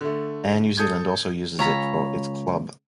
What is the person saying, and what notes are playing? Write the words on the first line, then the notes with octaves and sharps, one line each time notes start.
Air New Zealand also uses it for its club.
D3 A3
A4 D#6 G6 G#6
C#2 C#5 A#5 B5